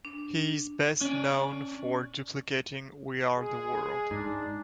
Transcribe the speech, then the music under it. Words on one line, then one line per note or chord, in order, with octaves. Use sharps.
He is best known for duplicating We Are the World.
D4
C#4 D5
G#3 G#4
G#2 D4